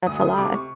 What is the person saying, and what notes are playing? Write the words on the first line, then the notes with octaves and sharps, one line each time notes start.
That's a lot.
D2 D#6
A3 D#6
C3 D6
C#6